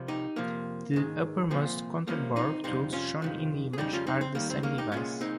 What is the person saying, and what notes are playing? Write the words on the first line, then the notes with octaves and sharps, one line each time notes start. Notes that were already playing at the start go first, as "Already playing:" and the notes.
The uppermost counterbore tools shown in the image are the same device.
Already playing: C2 C3 F3
D#4 G4
F2 C3 F3 A#3
G#2 D#3 G#3
C2 A#2 F3 C4
C2 C3 F3 A#3 C#4
C4 D#4
F2 C3 G3 C4 D#4
C#4 F4
F2 C3 D#3
G#4
F2 C#3 G3 D#4 G4
C#4 F4
C4 D#4
C4
D#2 D#3 G3 A#3
C4
A#3 C#4
D#4 G4
C2 A#2 G#3 C#4 F4
C4 D#4